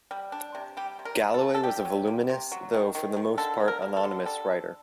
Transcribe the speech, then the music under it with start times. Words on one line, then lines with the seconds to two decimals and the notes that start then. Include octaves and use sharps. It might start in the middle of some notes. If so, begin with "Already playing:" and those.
Galloway was a voluminous, though, for the most part, anonymous writer.
0.11 G3
0.32 D4
0.55 C3
0.77 G3 G4
0.99 C3
1.05 A#4
1.20 C3
1.34 A4
1.41 C3
1.55 A4
1.64 D4 G4
1.85 F#3
2.07 A#3
2.30 C3
2.52 F#3
2.73 D#3
2.95 D#3
3.16 D#3
3.38 D3 A4
3.60 A#3
3.68 A#4
3.82 A#3
3.97 A4
4.03 D3
4.26 G3 A4